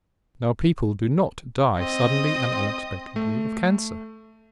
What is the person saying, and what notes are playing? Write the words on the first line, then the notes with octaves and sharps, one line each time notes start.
Now people do not die suddenly and unexpectedly of cancer.
C4 D#5 D#6
A3